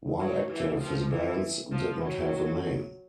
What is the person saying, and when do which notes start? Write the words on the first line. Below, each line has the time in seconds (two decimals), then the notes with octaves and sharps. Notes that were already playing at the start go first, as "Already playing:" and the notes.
While active, his bands did not have a name.
0.20 F#3
0.50 E3
0.81 F3
1.11 E3
1.72 F3
2.02 F#3